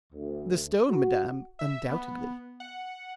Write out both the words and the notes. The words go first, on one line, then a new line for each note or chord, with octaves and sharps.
"The stone, madam, undoubtedly."
D2
F#4
E5
B3
F#5